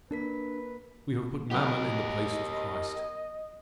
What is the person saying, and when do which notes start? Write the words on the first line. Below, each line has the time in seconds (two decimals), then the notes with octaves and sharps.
We have put mammon in the place of Christ.
0.11 A#3 D4 A#4 B4 B6
1.51 F#3 B3 G4 A#4 B4 D#5